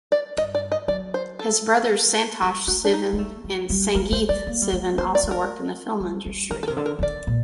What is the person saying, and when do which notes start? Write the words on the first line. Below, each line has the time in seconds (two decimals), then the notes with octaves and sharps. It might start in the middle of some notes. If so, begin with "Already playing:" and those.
His brothers Santosh Sivan and Sangeeth Sivan also work in the film industry.
0.12 D5
0.37 G2 D#5
0.55 D5
0.72 D#5
0.88 F#3 D5
1.14 C5
1.39 A4
2.42 G3 G4
2.67 A3 F#4
2.85 D4
2.93 D#4
3.13 A#3
3.19 A3
3.44 F#3
3.70 G3
3.95 A#3 A#4
4.12 A3 C5
4.29 G3 D5
4.47 A#3
4.62 G3
4.73 A3
4.98 A#3 C5
5.15 D5
5.23 A3
5.31 A#4
6.00 G3
6.26 G3
6.51 D#3 A#4
6.63 A4
6.68 C3 A#4
6.77 D3
6.86 A#4
6.99 D#3
7.02 D3 D5
7.27 A#2